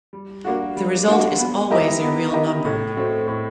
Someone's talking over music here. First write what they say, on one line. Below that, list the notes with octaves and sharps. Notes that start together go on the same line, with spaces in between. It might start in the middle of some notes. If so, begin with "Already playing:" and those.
The result is always a real number.
G3
A#3 D4 F#4
G3
A#3 D4 F#4
B3
E4 G4 A#4 D#5
B3
E4 G4 A#4 D#5
A2
F#3 A3 C4
A2